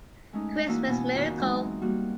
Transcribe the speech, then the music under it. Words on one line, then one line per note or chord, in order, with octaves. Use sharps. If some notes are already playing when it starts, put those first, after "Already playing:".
Christmas miracle.
G#3 A3 C#4 D#4
E3 A#3 C#4 D#4 E4 F#4
B2 B3 G#5
F2 D#3 F#4
E3 F#3 G#3 C4 D#4
G3 A#3 F#4